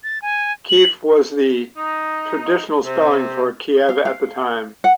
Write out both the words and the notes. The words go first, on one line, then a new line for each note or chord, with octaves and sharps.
Kief was the traditional spelling for Kiev at the time.
A6
G#5
F#7
D#4
C3
F5
F5
F#5